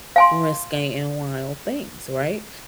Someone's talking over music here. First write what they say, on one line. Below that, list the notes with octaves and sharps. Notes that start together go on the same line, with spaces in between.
risque and wild things, right?
F5 G#5 C6